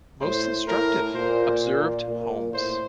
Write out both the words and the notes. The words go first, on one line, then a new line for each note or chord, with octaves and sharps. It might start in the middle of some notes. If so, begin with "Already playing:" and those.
"Most instructive," observed Holmes.
A2 C5
A2 A#4
A#2 C5
A#2
A2 C5